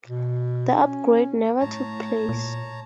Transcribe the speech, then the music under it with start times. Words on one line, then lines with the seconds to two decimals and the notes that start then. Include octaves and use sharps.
The upgrade never took place.
0.07 B2
0.75 C#4
1.60 A2 C#5 A5 A#5
2.29 A#2